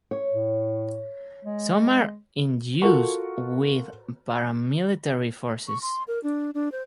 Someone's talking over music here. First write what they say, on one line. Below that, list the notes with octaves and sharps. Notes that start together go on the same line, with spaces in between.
Some are in use with paramilitary forces.
C#5
A2
G#3
F4 F#4 A4 A#4 F#5 C#6
C#6
C6
A#4
D4
D4
C5